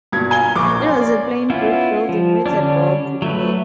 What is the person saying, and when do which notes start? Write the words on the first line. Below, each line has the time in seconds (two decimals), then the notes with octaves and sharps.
It was a plain brick building with a bell cupola.
0.12 G2 B2 G#6
0.31 F5 G#5 G7
0.56 A#1 C#6 D6
0.84 C#4 G#5 C6
0.97 A#3 D5
1.50 B3 C#4 E4 F4
2.09 F3
2.46 D3 G3 C#4 D4
3.22 F#3 A3 B4